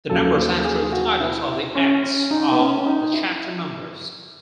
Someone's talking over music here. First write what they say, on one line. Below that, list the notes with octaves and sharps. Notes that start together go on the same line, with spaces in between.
The numbers after the titles of the Acts are the chapter numbers.
D#2 C#3 F#3 A4
A4
G#4
F#4
E4
C#4
C#4
D#4
B3
C#4
C#4
D#4
E4